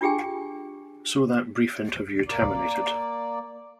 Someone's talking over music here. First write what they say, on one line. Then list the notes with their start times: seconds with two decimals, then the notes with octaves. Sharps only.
So that brief interview terminated.
0.01 D4 F4 G4 G#4 G5 G#5
2.27 A#3 D5